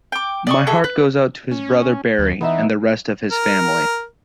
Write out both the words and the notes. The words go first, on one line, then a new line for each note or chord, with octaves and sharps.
My heart goes out to his brother Barry and the rest of his family.
G5 D6
D5 D#5 C#6
F#4 G#4 A4 E5
B4
C#4
D#2
E3 B3 D#4 E5
A#4